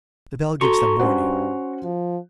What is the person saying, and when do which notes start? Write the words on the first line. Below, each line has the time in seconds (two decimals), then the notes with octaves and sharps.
The bell gives them warning.
0.61 F#4 A4 A#5 C6 C#6 G7
0.99 G2 C#4 C5 F#5
1.83 F3